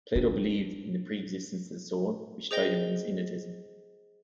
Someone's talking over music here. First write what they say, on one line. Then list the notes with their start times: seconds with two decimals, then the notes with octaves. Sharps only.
Plato believed in the pre-existence of the soul, which tied in with his innatism.
0.15 C4 D4
2.51 G#4 C5 D#5 G5 A#6 G7